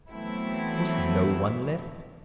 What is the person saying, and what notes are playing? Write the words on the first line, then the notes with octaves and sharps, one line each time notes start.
Was no one left?
E3 F#3 A3 B3 C4 E4